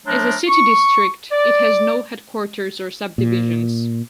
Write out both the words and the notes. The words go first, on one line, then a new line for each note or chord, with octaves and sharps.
As a city district, it has no headquarters or subdivisions.
F3 F#3 A3 D4 A#4 C5
C#6
D5
A#2